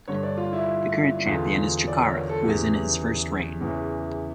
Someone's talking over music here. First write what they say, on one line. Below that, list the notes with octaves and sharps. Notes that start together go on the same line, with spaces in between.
The current champion is Chikara who is in his first reign.
G2 D3 C#5
D5
F4
E4
E2 D3 F4
D5
C#5
A#4
A4
E2 C#3 E3 G4
E2 C#3 E3